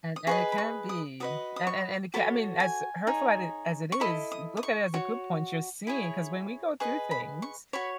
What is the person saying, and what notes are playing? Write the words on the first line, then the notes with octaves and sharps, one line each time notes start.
An and it can be an an and it can, I mean, as hurtful at as it is, look at it as a good point you're seeing, 'cause when we go through things,
D#6
G#4 B4 D#5 C#6
B5
C#6
D#6
F#4 B4 D#5 D#6
D#6
C#6
F#4 A4 C#5 B5
G#5
D#4 G#4 C#5
C#6
E4 A4 D#5 B5
D#6
D#6
C#6
F#4 C#5
E4 G#4 C#5
G#4 B4 D#5 C#6
B5
C#6
F#4 C#5 B5